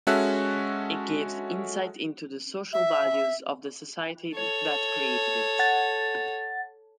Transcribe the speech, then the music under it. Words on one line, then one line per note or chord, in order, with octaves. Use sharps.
It gives insight into the social values of the society that created it.
G#3 C#4 F#4 A4 E5 F#6
E5
A4 C#5
F#5 A6